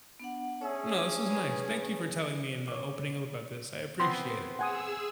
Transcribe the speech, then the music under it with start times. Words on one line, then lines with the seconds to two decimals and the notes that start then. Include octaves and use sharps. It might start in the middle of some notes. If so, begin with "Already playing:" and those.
No, this was nice. Thank you for telling me and, uh, opening up about this. I appreciate it.
0.20 B3 D4 F#5
0.61 C#4 D4 G#4 C#5 E5 E6
1.29 B4 G#5 B5
2.68 C#5 D6
4.00 B3 C4 C6
4.59 G#4 F#5 G#5 D#6 E6